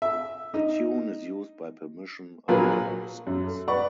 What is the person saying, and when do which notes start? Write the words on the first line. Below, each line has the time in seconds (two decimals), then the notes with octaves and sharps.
The tune is used by permission under licence.
0.02 E5
0.54 D#4
2.48 A#1 A#2 F#3 A#3 B4
3.27 F#2
3.47 A4
3.68 B4 D5 F#5 B5 C#6